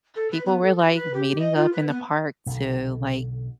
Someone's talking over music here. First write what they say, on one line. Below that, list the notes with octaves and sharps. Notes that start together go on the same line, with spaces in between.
people were, like, meeting up in the park to, like,
A4
B4
B3
A4
F#4
B4
G4
D#5
F4
B4
B3
B1 D3